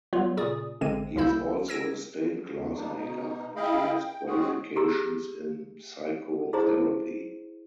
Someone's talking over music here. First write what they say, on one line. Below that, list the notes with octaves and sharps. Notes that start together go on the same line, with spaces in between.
He is also a stained glass maker, and he has qualifications in Psychotherapy.
F#3 G3 B3 F4
A#2 C#3 G#4 D5 D#6
A1 D3 G#3 C4 D#7
C2 D3 A#3 E4 E6 G6
E6 G#6 A#6 D7 D#7
E2
G3 A#3 D4 D#4
B2 D#4
E4 G#4 D#5 F5 G5 B5
G5
G#3 C4 C#4 F#4 G#4
G4 G#4 A#5 E6
E4 G#4 C5 A#5